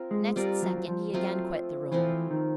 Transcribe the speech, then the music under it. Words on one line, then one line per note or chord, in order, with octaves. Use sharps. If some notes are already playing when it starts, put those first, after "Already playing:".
Next second he again quit the room.
Already playing: C4 F4 A#4
G#3
G3 C4 F4 A#4 D5
F#3
F#3
F3
F3 F#3 A3 C4 F4
E3 F3 A3 C4 F4
D#3